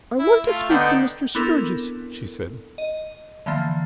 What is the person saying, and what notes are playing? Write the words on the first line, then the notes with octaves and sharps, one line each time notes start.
"I want to speak to Mr. Sturgis," she said.
E4
A3 F4
D3 B3 D#4 G5
B3 C4 D4 E4 A4 A#4
D#5
D3 E3 F3 A#3 A6